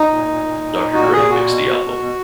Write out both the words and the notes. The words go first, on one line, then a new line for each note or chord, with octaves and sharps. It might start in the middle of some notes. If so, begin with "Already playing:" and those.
Doctor Dre mixed the album.
Already playing: D#4
A#2
A#2
A#2
A#2
A#2
A#2 F#4
A#2 G#4
A#2 F#4
B2
B2
B2
B2